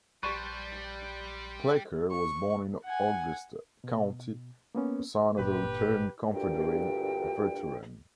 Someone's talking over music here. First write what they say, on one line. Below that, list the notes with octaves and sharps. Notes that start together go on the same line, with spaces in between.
Plecker was born in Augusta County, the son of a returned Confederate veteran.
A#1 G3 G4 B4 C5 D5 A5 C#6
C#6
F#5 G#5
B2
A#3 B3 C#4
G1 A#2 D4 G4 B4
D2 G2 A#2 G5